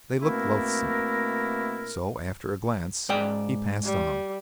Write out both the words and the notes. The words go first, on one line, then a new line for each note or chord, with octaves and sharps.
They looked loathsome, so after a glance, he passed on.
B2 A3 A#3 C4 E4 A#4
G#2 D5 G5
G3